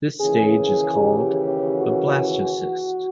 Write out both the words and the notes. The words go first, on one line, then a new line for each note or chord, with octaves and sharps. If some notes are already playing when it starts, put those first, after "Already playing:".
This stage is called a blastocyst.
D#2 C#3 E3 G#4
G4
G4
F#4